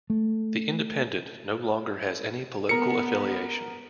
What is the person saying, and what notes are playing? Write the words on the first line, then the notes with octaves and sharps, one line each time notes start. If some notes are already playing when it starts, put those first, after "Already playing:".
The Independent no longer has any political affiliation.
A3
B3 A#4 C#7